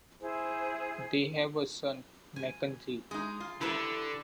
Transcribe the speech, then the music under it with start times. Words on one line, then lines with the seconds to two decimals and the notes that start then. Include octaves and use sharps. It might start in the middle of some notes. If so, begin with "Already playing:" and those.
They have a son, Mackenzie.
0.21 E4 G#4 C5
2.36 G#5
3.11 G#3 D#4 G#4
3.40 F4
3.61 D3 E4 G4 A4 B4 A5